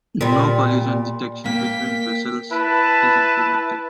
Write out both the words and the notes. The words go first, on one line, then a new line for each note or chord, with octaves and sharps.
No collision detection between vessels is implemented.
A#2 G3
A#3 G5 B6
E4 B4 A5